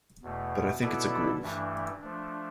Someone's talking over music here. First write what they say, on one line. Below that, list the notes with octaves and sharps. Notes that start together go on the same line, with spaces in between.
But I think it's a groove.
E2 B2 A3
B2 B3 E4 A4 D5
G2 E3 A3 D4
F3 A3 D4